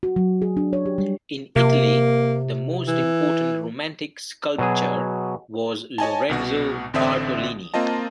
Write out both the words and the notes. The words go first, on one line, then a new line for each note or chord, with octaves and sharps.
In Italy, the most important Romantic sculptor was Lorenzo Bartolini.
F#4
F#3
G#4
D4
C#5
G4
G3
C3 A#3
E3
B2 F#3 G#4
C#5 D#5 G#5 A5
C2 B2 F#4
A1 D3 C4 D4 E5 D#6
A#3 C4 F4 D#5 A5